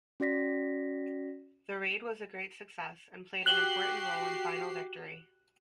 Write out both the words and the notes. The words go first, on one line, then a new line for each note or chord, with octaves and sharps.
The raid was a great success, and played an important role in final victory.
C#4 F#4 D5 A#6 B6
F#4 G4 F#6 C7 F#7 G7